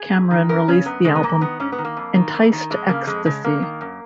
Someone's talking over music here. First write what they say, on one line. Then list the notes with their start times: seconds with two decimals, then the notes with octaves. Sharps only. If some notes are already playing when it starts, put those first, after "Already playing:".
Cameron released the album "Enticed Ecstasy".
Already playing: G#4
0.13 F2
0.31 D#3
0.49 F#2 A#4
0.68 C#3 C#4
0.86 F#2 B3
1.05 C#3 G#3
1.16 B3
1.23 G#2 A#3
1.41 D#3 B3
1.60 G#2 C#4
1.72 B3
1.78 D#3
1.85 A#3
1.97 F2
2.15 D#3
2.34 F2
2.52 D#3
2.70 F2 G#3
2.89 C#3 A#3
3.07 F2 G#3
3.26 C#3 G#3
3.44 F#2 A#3
3.62 D#3
3.81 F#2